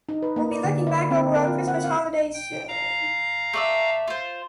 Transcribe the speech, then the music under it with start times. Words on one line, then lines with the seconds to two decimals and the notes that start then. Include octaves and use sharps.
We'll be looking back over our Christmas holidays soon.
0.09 D#4
0.22 B4
0.36 A#3
0.51 D5
0.64 D3
0.87 E4
1.10 C4
1.36 A#4
1.47 F4
1.68 F#5
1.84 F5
2.34 G5
2.68 F5 A#5
3.53 A3 D5 E5
4.08 F4 C5